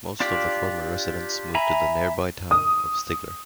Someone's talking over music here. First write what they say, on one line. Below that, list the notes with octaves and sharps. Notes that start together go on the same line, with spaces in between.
Most of the former residents moved to the nearby town of Stigler.
D4 F4 G4 D5
E5 G#5 A#5 B5
D#6